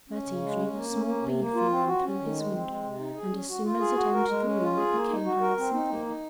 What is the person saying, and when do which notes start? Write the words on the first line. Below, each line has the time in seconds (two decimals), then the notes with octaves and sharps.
That evening a small bee flew in through his window, and as soon as it entered the room it became Hyacinthia.
0.09 C#4
0.26 C#3
0.42 G#3
0.58 C#4
0.74 A#3
0.90 C#4
1.06 A#3
1.22 C3
1.38 A#3
1.55 F4
1.70 C4
1.86 F#4
2.03 C#4
2.19 D#3
2.35 G#3
2.52 C4
2.67 G#3
2.83 C3
2.99 D#4
3.15 G#4
3.31 C#4
3.47 F#4
3.64 F4
3.79 G#4
3.95 F#4
4.12 A#4
4.28 G#3
4.44 C#4
4.61 F4
4.76 G#4
4.93 A#3
5.09 D#4
5.25 F#4
5.41 A#4
5.57 C4
5.73 D#4
5.89 A#3
6.06 D#4